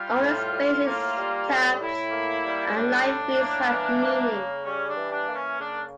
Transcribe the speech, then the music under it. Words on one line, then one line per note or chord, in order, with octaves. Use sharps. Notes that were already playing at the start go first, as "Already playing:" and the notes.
Only spaces, tabs and linefeeds have meaning.
Already playing: G3 F4
A2
A2
A#3
G3
A2
A2 E4
A#3
G3
E4
A2 D4
A2
A#3
E3
A#3
C#3
G3 C#4
D4
E3
D4
A#3
C#4
C#3 D4